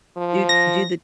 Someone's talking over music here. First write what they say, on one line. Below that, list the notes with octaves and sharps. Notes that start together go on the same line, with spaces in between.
do do the
F3
A#6